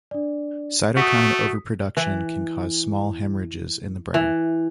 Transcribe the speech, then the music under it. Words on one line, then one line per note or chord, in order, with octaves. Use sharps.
Cytokine overproduction can cause small haemorrhages in the brain.
D4 D5
A3 F#4 D#6 B6
E3
E3